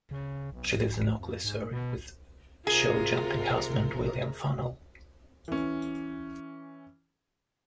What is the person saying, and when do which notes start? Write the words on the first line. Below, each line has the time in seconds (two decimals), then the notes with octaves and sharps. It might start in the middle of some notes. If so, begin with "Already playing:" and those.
She lives in Ockley, Surrey with show jumping husband William Funnell.
0.11 C#3
0.52 B1
0.90 F#1
1.19 F2
1.44 G#2
1.71 B2
2.67 C3 F4 G#4 A#4
5.48 E3 C#4